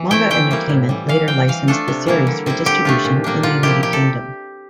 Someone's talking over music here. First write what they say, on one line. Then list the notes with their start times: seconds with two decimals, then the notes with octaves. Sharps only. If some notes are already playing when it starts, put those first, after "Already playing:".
Manga Entertainment later licensed the series for distribution in the United Kingdom.
Already playing: E3
0.11 A3 C4 E4 G5
0.30 E3 G5
0.51 G3 A#3 E4
0.69 A2
0.89 E3 G3
1.09 E3 F5
1.28 G3 C4 G5
1.48 E3 F5
1.67 A3 D4 F4 A4
1.88 C3
2.07 E3 G3 A#3 E4
2.27 D3
2.46 G3 C4 E4
2.66 D3 G4
2.85 A3 D4 F4
3.05 A#2
3.24 G3 A#3 D4
3.43 D3 F4
3.63 F3 A#3 E4 G4
3.83 C3 G4
3.93 A4